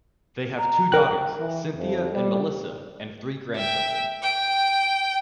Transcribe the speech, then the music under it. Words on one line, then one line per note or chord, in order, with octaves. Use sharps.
They have two daughters, Cynthia and Melissa, and three grandchildren.
A#5
A#4 G5 F#6
E3
F2
G3
E5 G5
G5